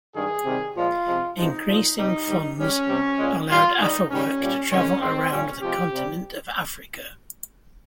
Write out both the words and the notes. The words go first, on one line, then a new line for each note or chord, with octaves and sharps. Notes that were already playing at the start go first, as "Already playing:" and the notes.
Increasing funds allowed Afewerk to travel around the continent of Africa.
G2 D#3 G#3 G#4
C3 D#3 G3
A#2 F3 G#3 F4
C3 F3 G#3
C3 F3 G#3 D#4
A#2 F3 G#3
C3 G3 D#4
G#2 D#3 G3
G#2 G3 C#4
C3 G3
A#2 G#3
A#2 G3 F4
G2 D#3 G3 D#4
G#2 D#3 G3 C#4
A#2 G3
C3 D#3 G#3 C#4
G#2 D#3 G#3 C4
A#2 G3 C#4
C3 F3 G#3 G4
C3 G3